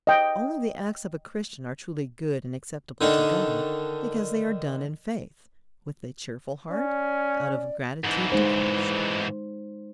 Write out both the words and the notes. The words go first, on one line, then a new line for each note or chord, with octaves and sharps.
Only the acts of a Christian are truly good and acceptable to God, because they are done in faith, with a cheerful heart, out of gratitude to Christ.
D#5 G5
D3 D#3 D4
C#4 D5
G#2 E3
G#3 D#4 C5